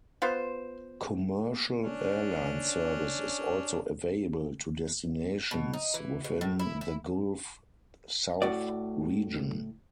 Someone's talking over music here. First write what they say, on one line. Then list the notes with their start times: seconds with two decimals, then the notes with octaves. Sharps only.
Commercial airline service is also available to destinations within the Gulf South Region.
0.22 B3 F4 C5
1.82 C#4 D4
5.51 B2
5.73 D#4
5.94 E3
6.24 B2
6.41 A2
6.60 E4
6.81 E4
8.42 A2 F#4 D5